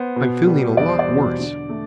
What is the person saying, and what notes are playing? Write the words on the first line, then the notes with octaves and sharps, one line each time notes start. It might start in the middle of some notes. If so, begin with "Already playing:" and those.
"I'm feeling a lot worse."
Already playing: B3 C5
B2
G3
E2 D5
C5
D5
B2
D3
A3